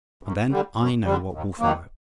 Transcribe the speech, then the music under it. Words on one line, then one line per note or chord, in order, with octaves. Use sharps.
And then I know what will follow.
F#2
D3 G3
F#2
D3 G3
D#2
D#3 F#3 A#3